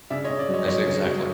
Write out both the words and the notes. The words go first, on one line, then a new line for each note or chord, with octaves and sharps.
Ex exactly.
C#3 D5 E5
C#5 D#5
C#3
D5
F#3
C#5 D#5
F#3 C#5 D#5
C#3
F#3